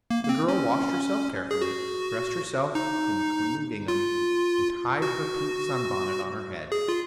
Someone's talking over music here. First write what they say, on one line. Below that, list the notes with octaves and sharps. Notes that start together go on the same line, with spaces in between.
The girl washed herself carefully, dressed herself in the clean gingham, and tied her pink sunbonnet on her head.
A#3
A#3
C4
C#4
G#4
F#4
D#4
F4
F#4
G#4
F4